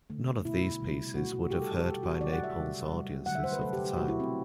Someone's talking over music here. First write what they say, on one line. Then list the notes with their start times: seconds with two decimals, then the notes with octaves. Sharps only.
None of these pieces would have heard by Naples' audiences of the time.
0.10 D3 A3
0.45 B2 A3 E4
0.80 C3 G3
1.15 B2 F#3 A3 F#4
1.33 F#4
1.50 C3 G3 G4
1.62 A4
1.74 A4
1.86 B2 G3 G4
2.03 F#4
2.21 D3 F#3 A3 D5
2.32 F#5
2.44 E5
2.56 C3 G3
2.91 C3 G3
3.26 D3 F#3 A3 F#5
3.35 E5
3.44 C5
3.53 B4
3.61 C3 F#3 A3 A4
3.73 G4
3.85 G4
3.96 B2 F#3 A3 F#4
4.08 E4
4.20 C4